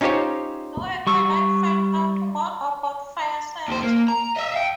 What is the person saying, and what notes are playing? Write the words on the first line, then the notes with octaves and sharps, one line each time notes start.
Where can I find out more about fire safety?
C#4 D#4 F4 G4 C5 C#5
G3 C#6 E6
D#2 C5
A#3
A#5
D#5 E5
F5 G5